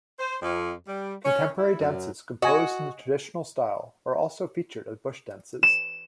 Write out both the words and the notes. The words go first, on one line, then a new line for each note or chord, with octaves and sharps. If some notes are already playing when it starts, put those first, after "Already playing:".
Contemporary dances, composed in the traditional style, are also featured at bush dances.
C5
F2
G3
C#4
E4
F#2
F#4 D#5 G#5 C#6
E7